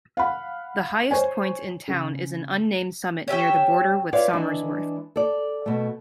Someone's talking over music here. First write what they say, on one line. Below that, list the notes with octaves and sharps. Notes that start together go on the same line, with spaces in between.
The highest point in town is an unnamed summit near the border with Somersworth.
F5 F#5 B5
C5 C#5 G#5
C#3
C#4 G4 E5 G5
F4 B4 C#5 D5 E5 F5
E3 G#3 D4 E4
A4 D5
B2 A3